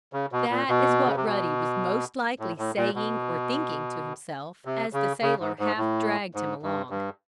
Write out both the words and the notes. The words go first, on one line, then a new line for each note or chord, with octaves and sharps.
That is what Ruddy was most likely saying or thinking to himself as the sailor half dragged him along.
C#3
B2
A#2
B2
C#3
C3
B2
A2
A2
A#2
B2
C3
C#3
C#3
G#2
G#2
A2
G#2
G2
G2